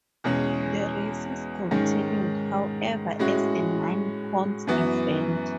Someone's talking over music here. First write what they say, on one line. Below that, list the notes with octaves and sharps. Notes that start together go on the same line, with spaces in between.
The races continued, however, as a non-points event.
E2 B2 G#3 C#4
G#2 D#3 G#3 C#4
A2 G#3 C#4 F#4
F#2 E3 B3 F#4